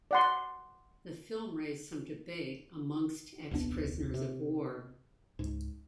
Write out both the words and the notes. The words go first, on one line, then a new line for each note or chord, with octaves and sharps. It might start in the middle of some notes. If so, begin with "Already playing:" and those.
The film raised some debate amongst ex-prisoners of war.
D5 F#5 C6
D#1 C2 B3 D4
C3
C#2 G#2